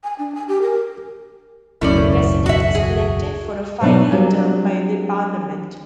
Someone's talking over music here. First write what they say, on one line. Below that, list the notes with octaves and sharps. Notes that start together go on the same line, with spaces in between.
The president is elected for a five-year term by the parliament.
G#5
D4
G#5
G4
A#4
E1 C#2 F#2 A3 C#4 E4 D5
F#4 E5
G#4
B2 F#3 B3 D4 D#4
F#3 G3 A#3 C4 D4 F4